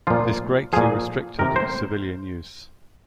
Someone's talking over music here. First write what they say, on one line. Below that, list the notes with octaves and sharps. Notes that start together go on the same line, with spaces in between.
This greatly restricted its civilian use.
A#2 F3 F4
A#2 F3 G#4
C3 D#3 A#4
C5